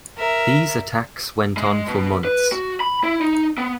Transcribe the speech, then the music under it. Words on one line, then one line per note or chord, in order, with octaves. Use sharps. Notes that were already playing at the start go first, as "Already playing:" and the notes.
These attacks went on for months.
A#4 E5
G#3
B2
B4
F#4
B5
E4
D#4
B3